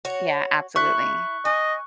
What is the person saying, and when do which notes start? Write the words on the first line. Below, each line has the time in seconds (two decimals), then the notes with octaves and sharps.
Yeah, absolutely.
0.05 F#4 C#5
0.76 E4 C#6 F#6
1.45 D#5 G#5